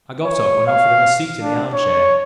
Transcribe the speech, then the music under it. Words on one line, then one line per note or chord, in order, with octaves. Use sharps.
I got up and offered her my seat in the arm-chair.
C#5
F5
D4
C#5